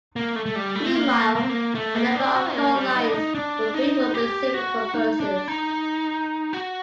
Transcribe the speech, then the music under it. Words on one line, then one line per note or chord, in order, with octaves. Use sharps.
Meanwhile, a number of short lines were built for specific purposes.
A#3
A3
A3
G3
A3
C4
A#3
A#3
C4
A#3
A3
A#3
D4
F#4
A#3
G3
D#4
D4
D#4
D4
D#4
G4
F#4
D#4
D4
D#4
F#4